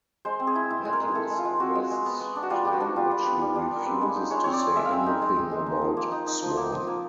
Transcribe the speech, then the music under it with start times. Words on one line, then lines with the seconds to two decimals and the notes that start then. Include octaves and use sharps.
Nettles arrests Claire but she refuses to say anything about Swan.
0.25 G#3 C5
0.40 C4
0.47 G#4
0.55 E4
0.70 E4
0.85 G#3
0.93 A#4
1.00 G#3
1.15 E4 A4
1.30 G#3
1.38 F4
1.45 G#3
1.60 C4 F#4
1.75 G#3
1.91 G#3
2.06 B3
2.21 B3
2.36 D4
2.43 F#4
2.50 G3 F4
2.65 G3 G4
2.73 F#4
2.80 D4
2.96 G3 F4
3.11 G3
3.18 B4
3.26 B3
3.41 G3
3.56 G3
3.71 B3 A#4
3.85 C4 B4
4.01 G#3
4.16 D#4
4.31 G#3 C#5
4.44 C4 C#5
4.53 D5
4.62 C4
4.76 G#3 E5
4.85 F5
4.91 C4 E5
5.06 D#4
5.22 G#3
5.36 G#3
5.51 G#3
5.66 D#4
5.81 F3
5.97 A#3
6.11 D#4
6.27 D#4
6.42 F3
6.57 A#3
6.72 F3
6.87 A#3